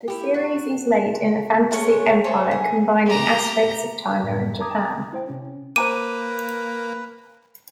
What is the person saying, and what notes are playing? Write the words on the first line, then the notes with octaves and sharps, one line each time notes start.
The series is laid in a fantasy empire combining aspects of China and Japan.
E4 G4
F#4
G#3 A3 B3 C#4
G#4 A4 C5 C#5
G#4
G4 A#5
F#2 A2
A5 A#5 D6 D#6 G#6
E4 C5 G5
C3 C#4
A#3 B4 C5 A#5 D6 D#7